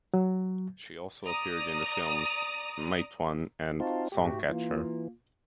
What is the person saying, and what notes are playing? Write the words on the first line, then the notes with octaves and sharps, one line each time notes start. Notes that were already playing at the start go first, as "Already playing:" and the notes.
She also appeared in the films "Matewan" and "Songcatcher".
F#3
D5 A#5 D#6
C4 D#4 F4 F#4 F5 A5
G#2 A3 F#4 G4
E3 A#3 F4